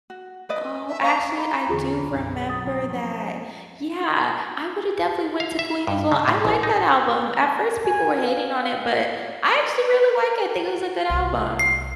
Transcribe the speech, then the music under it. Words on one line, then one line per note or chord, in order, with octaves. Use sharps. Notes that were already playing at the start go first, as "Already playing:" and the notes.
Oh, actually, I do remember that. Yeah, I would've definitely went to Queen as well I like that album, at first, people were hating on it, but I actually really like it, think it was a good album.
F#4
B4 D5 D#5
E5
C5 D#5 F5 A#5
A#5 B5 D6
E2 D3 F4 G#4
B1 F#2
D#6 A6
F3 A#3 C#4
F5
E5
G2
C#3
A2
A1
D#4
G#5
F5
F5
C2
C7